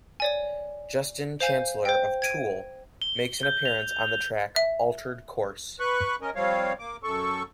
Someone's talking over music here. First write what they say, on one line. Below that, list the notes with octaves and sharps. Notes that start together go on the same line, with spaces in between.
Justin Chancellor of Tool makes an appearance on the track, "Altered Course".
C#5 D5 G#5
C5 F5 G#5 G6
C5 G5
G#6 D7 D#7
G7
G6
F7
E5
B4 C#6 F#6
C#4 A#4 D#5
F3 G3 C4 C#5 F5
A#3 D6
F#2 A4 C#6